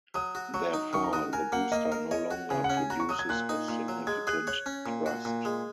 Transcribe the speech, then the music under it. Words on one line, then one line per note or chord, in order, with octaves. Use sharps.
Therefore, the booster no longer produces a significant thrust.
F#3 D#6
F#4
F#3 C#6
D#4
D#3 C#6
A#5
F#4 D#6
A#4 G#5
A#3 F#5
A#3 D#5
D#5
A#4
C#5 D#5
F#4 F#5
C#3 G#5
F#5
C#4
G#5
F#4 A#5
C#6
F#3 D#6
G#6
A#2 F#6
D#4
A#2
F#3
G#3 G#6
G#4 F#6
C#5 F#6
C#4
A#2
F#4
A#2
G#3